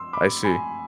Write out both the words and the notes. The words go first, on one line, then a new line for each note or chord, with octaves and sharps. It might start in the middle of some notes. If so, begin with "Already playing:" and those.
I see.
Already playing: C6 E6
B5 D6
G#5 B5